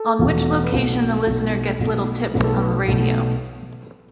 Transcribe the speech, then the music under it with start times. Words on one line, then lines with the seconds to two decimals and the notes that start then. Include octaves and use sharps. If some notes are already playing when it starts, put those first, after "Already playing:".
On which location the listener gets little tips on the radio.
Already playing: A4
0.19 E1 E2 B2 A3
0.64 B4
0.72 B1 B2 A3 A4
1.26 B1 B2 A3
1.79 B1 B2 A3
2.34 B1 B2 A3 B4
2.44 A4
2.53 B4
2.88 B1 B2 A3